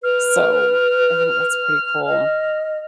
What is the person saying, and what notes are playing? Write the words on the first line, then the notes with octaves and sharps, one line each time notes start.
so, I think that's pretty cool.
B4 F6
D#5